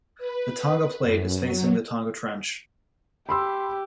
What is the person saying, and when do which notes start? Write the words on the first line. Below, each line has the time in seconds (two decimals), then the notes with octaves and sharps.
The Tonga Plate is facing the Tonga Trench.
0.18 B4
1.02 F#2
1.38 F#3
3.29 G4 B5 C6 E6